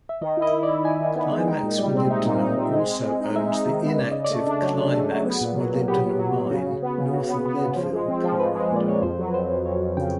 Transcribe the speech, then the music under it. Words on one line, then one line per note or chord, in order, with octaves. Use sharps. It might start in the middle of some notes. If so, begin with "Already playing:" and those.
Climax Molybdenum also owns the inactive Climax molybdenum mine, north of Leadville, Colorado.
E5
D#3 D#5
E4
D#5
E4
D5
E4
E4 G#5
D#3
B3
G#3
D#4 G5
A#2
G3 D5
C4
D#4 E5
A#2
D#4
C4
E5
G#3 D#5
G#3
G#3
D#4
G#3 E5
D#4
D#3
B3
C#3 D5
C#3 D#5
D5
A3
D4
F#3 C#5
C#3
A3 G#4
F#3
B3
A#2
F#3
A#2
B3 G4
F#3
F#3
F#3
C#3 F#4
C#3
B3
C#3
C#3 F#4
B3
B3
C#3
F3 C5
G#3
C4
F3
G#3 B4
G#3
A#2 D5
A#2 C#5
F2 C5
F#3
B4
F2 C5
F2
F2 C#5
F2
C#3 G5